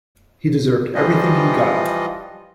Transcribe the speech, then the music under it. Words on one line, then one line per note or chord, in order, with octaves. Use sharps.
He deserved everything he got!
E3 F3 G3 F4 D#5